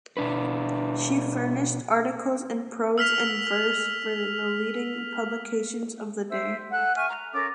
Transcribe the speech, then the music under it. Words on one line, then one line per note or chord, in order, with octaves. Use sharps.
She furnished articles in prose and verse for the leading publications of the day.
B2 D4 B4
E6 F6 B6 F7
C5 E5 E6
A4 F#5 E6 F#6
E5 G#5 C#6 F6
A#5
C#4 A4 A#4 D6